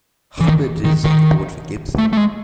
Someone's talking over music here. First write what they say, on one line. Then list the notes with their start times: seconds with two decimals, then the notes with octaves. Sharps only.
Hubbard is on the board for Gibson.
0.40 E3
0.47 D#3
0.85 D#3
1.04 D#3
1.98 A3
2.13 A3
2.17 G#3